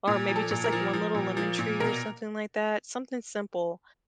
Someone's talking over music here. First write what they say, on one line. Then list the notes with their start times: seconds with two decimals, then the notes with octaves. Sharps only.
or maybe just, like, one little lemon tree or something like that- something simple.
0.08 A#2
0.29 F3
0.36 A4
0.51 A#2
0.64 A#4
0.72 F3
0.93 F3
1.15 A#2
1.37 F3
1.59 A#2
1.80 B2 A#4